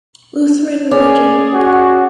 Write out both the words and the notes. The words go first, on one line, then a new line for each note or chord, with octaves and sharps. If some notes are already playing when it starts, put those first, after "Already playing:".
Lutheran religion.
C#4 G#4 D5
F#4